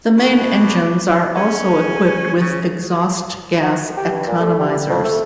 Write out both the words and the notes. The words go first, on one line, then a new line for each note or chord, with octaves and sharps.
The main engines are also equipped with exhaust gas economizers.
B2
D6
C#4 G#4
C#3 F3
F#4
G4
G2
A#2
A3
G3
F2
A3